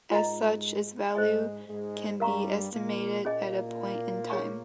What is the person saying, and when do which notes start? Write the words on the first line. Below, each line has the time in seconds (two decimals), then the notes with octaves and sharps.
As such, its value can be estimated at a point in time.
0.10 G#2 G#3 F4 A#4 D#5 A#5
1.15 G#2 G#3 C5 D#5 G#5
1.67 G#2 G#3
2.20 G2 G3 A#4 F5 A#5 C#6
2.72 A#2 A#3
3.25 A#2 A#3 C#4 G#4 D#5 G#5
4.30 G#4 C#5 G#5 C#6